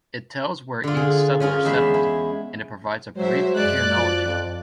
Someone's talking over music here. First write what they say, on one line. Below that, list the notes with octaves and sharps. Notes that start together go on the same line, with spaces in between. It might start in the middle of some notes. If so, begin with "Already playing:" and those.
It tells where each settler settled, and it provides a brief genealogy.
D3 F4
G#4
C#4 F4 G#4 A#4
E2 G#3 E5 B5
E4
F#3 G#3 C5 E5
F#2 G#3 D5 F#6
F3
F2